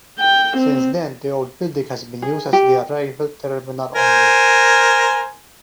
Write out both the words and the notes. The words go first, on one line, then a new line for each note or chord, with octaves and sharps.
Since then, the old building has been used as the arrival terminal only.
G5
C4
G#4
G4
A#4 C5 G#5